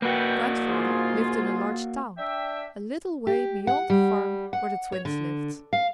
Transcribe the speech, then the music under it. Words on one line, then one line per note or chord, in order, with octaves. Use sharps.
Grandfather lived in a large town, a little way beyond the farm where the Twins lived.
A#3 F#4 B4 G5
G#2 F4 G#4
D4 E5 G5
G4
F#5
G3
F#5
C#5
D3
F5